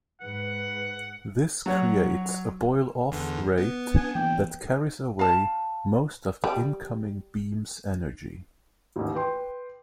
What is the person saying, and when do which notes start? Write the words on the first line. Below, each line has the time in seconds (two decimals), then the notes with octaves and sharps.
This creates a boil-off rate that carries away most of the incoming beam's energy.
0.21 G#2 B4 F#5
1.66 F#3 F#4 C#5
3.12 E2 D3
3.58 B3
3.95 D4 G#5
4.15 E3 A#3 B3 G5
5.19 F5 A5
6.44 G3
8.96 A1 D#2
9.15 B4 G5 C6